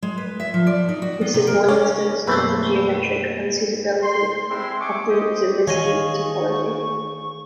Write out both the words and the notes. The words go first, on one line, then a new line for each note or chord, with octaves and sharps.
This is one instance of the geometric unsuitability of the Zariski topology.
G#3
B4
E5
F3
D5
D#4
F#4
B3
C3
A#4
C#4 D4 D5
F#2 B2 E3 A3 A#3 C4 B4 C5
C6
G#3 C4 E4 C6
G#4 E5 C#6 D6
G4 C5 D#5
D#3 E3 G#4 C#5 D#5 F5 G#5 C#6